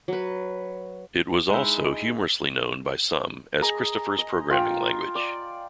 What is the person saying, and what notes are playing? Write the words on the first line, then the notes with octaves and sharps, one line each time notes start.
It was also humorously known, by some, as Christopher's Programming Language.
F#3 B4
G#3 D#4 E4
G#4 D#5 A#5 D#6
D#5
F4 F5 G5
D5